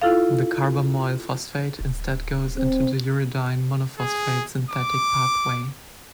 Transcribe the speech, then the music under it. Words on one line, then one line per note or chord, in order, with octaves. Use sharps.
The carbamoyl phosphate instead goes into the uridine monophosphate synthetic pathway.
E4 F4 A4 F5
D1
C4
G#4
D6